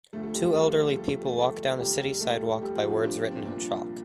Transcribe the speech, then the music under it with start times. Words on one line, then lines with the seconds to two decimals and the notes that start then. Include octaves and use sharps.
Two elderly people walk down a city sidewalk by words written in chalk.
0.13 D2 D3 F3 A3 A4
0.23 A3 A4
0.34 G3 G4
0.45 A3 A4
0.55 F3 F4
0.69 A3 A4
0.82 G3 G4
0.96 A3 A4
1.10 A3 A4
1.24 A3 A4
1.38 A3 A4
1.79 F1 D#2 D#3 G3 G4
2.20 A3 A4
2.62 G3 G4
2.76 F3 F4
2.90 C4
3.03 D4
3.18 D4
3.31 C4
3.45 C2 A#2 F3 D4